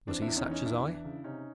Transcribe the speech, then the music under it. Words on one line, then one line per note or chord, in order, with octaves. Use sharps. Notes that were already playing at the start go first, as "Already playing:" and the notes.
Was he such as I?
E3 C4 D4
D4 E4
E2
C#4 D#4
E3
C#4 D#4
E2 D4 E4
E3
C#3
C3 C#4 D#4